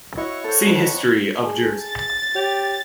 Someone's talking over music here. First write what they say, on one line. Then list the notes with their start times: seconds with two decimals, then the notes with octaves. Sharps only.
See History of Jersey.
0.17 E4 F#4 C#5 D#5 F#5 C#6
0.44 A4 C5
0.67 F2 F3
1.42 G#4 G#5 A5
1.84 A6
2.35 G4 C#5 G6 F7